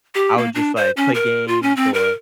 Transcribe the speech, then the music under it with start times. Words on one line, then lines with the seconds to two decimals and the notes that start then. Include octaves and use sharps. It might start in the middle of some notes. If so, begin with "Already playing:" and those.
I would just, like, play games or
0.15 G4
0.38 A#3
0.55 D4
0.77 C5
0.97 C#4
1.14 A#4
1.48 F4
1.63 C#4
1.77 C4
1.94 A#4